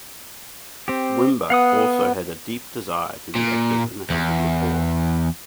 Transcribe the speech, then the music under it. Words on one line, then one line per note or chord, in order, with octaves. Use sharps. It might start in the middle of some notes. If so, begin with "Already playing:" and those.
Wimber also had a deep desire to be active in helping the poor.
C4 G4
B3 F5 F#5 D#6
A#2
E2